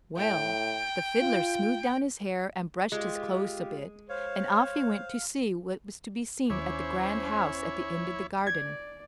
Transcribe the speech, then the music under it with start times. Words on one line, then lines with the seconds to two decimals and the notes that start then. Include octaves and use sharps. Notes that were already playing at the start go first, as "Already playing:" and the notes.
Well, the Fiddler smoothed down his hair and brushed his clothes a bit, and off he went to see what was to be seen at the grand house at the end of the garden.
0.17 A2 G5
1.21 F4
2.92 G#3 F4 G4
4.09 C5 C#5 F5
6.50 D#2 C#4 E4 C5 C#5 D6
8.47 D5 G#6